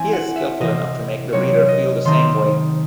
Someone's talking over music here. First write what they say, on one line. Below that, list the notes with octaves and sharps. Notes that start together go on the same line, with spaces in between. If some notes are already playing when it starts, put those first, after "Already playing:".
He is skillful enough to make the reader feel the same way.
Already playing: E3 C4 E4 G#5
F#5
E5
C3 E3 C4 D#5
C3 F#3 C4 D#4 C#5
D#5
D#3 A3 C4 D#4 C6